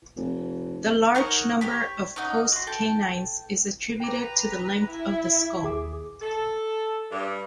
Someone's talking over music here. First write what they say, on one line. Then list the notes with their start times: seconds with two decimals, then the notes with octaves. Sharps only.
The large number of postcanines is attributed to the length of the skull.
0.16 F1
1.15 D#4 A#4 C#5 F#5
1.61 G4 C#5 B5
2.16 C#4 D#4 D#5 F#5
2.52 F#4 C6
2.67 A4 G5 A5
4.00 B4 G5 A#5 D6
4.89 E4
5.63 D#2 G#4 D6
6.21 A4
7.11 G2